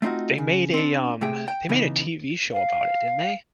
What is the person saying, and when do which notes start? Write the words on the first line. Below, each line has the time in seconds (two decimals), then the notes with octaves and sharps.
they made a, um, they made a TV show about it, didn't they?
0.02 A3 C4 D#4 F4 F#4
0.38 C#3
0.74 C4 D4
1.21 C3 A3 G#4 G5
1.48 G5
1.69 C#3 E3 B3 D#4
2.53 F5